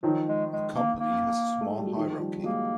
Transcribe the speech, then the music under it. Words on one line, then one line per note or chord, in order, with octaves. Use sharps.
The company has a small hierarchy.
D#3 F3 F#3
G#3
G#3
A#3
A#3
A3
G#3
G3
F#3
D#3 F3
F3 G3
G3
F#3 G#3 A#3